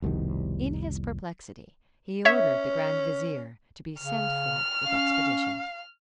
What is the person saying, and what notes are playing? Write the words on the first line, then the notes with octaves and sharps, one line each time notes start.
In his perplexity he ordered the grand vizier to be sent for with expedition.
F1 C2 B2 D#3
C#4 C#5 E5
C#3 F6
C#4 F5